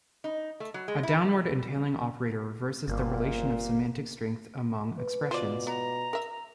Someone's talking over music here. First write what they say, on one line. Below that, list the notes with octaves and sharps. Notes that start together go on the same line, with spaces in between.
A downward entailing operator reverses the relation of "semantic strength" among expressions.
D#4
A3
F#3
G#3
E4
G1 A#2 A#3
B4
B2 F4 C5 D5
B3 A#5
A#4 E5